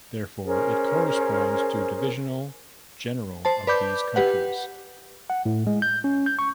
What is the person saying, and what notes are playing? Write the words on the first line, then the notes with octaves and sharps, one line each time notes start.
Therefore, it corresponds to divisional general of these countries.
C#4 G#4 A#4 C5
C5 A5
B4 D5 B5 D6 G6
G4 B4 F#5
F#5
A2
G#3
G6
C#4
G6
C#6